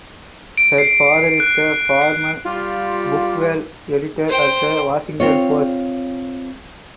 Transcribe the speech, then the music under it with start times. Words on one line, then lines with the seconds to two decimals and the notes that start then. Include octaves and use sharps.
Her father is the former "Book World" editor at the Washington Post.
0.58 D7
0.78 C7
1.40 F#6
2.02 C7
2.45 G3 F4
4.29 C5 G5
5.20 C4 F4 C#5